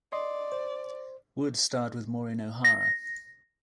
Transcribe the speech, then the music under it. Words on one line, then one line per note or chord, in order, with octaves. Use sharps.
Wood starred with Maureen O'Hara.
D5 D#5 C6
C5
A#6